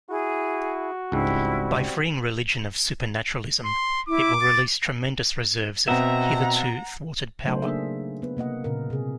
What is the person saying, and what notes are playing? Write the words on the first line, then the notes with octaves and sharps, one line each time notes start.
By freeing religion of supernaturalism, it will release tremendous reserves of hitherto thwarted power.
E4 F#4 G#4
C#2 G#2 G3 C4 E4
C6
E4 D6
A6
B2 B3 C4 E5 F#5 A#5
C#3 F#3 A3 D#4 C5
A#3 D4 G#4 A#4 E5
B3 B4
C3 A#3 D#5 F#5
A#2 C#3 A#4
C3 G#4